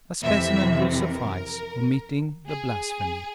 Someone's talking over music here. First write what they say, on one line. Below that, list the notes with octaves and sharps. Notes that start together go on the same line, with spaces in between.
A specimen will suffice, omitting the blasphemy.
F2 C3 E3 E5
A#4
G#4